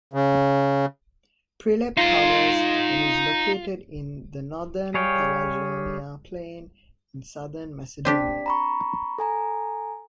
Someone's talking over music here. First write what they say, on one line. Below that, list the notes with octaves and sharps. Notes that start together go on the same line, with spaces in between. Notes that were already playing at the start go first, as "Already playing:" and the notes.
Prilep covers and is located in the northern Pelagonia plain, in southern Macedonia.
C#3
D#4 F4 C6
G3 G#4 C#5 F5 G5
C4 D4 G4 D5 B6
A#5 B5 C#6
A4 G#5 A#5